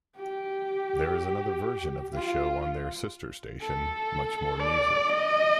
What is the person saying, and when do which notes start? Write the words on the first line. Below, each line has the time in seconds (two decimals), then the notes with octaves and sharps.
There is another version of the show on their sister station, MuchMoreMusic.
0.17 G4
2.14 F4
3.61 A4
4.60 D5
5.09 D#5